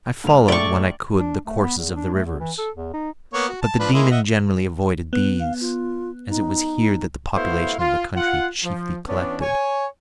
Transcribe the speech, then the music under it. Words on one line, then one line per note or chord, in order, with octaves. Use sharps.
I followed, when I could, the courses of the rivers; but the daemon generally avoided these, as it was here that the population of the country chiefly collected.
E1 F7
A#1 A3 D5 C#6 G7
D4
A3
B3
E2
D4
A3
E2
E3
A4
E2
D#4
A#3 B3 C#5
F#4
A5
F3 D4 B4
G#3 A#3 E4
D#5 E5 F#5
B3
F5
F4
D#4
A3 B3 E4 F#4 C5 F5
F4
F4 F#5
F3
E3 B3 C#4 D4
C#5 G#5